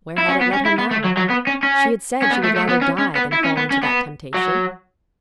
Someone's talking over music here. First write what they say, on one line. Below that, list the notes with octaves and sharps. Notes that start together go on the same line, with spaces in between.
Where had it led her now? She had said she would rather die than fall into that temptation.
E4
C#4
B3
C#4
E4
B3
A3
F#3
F#3
B3
C#4
C#4
C#4
B3
A3
A3
B3
C#4
C#4
B3
E4
C#4
B3
C#4
B3
F#3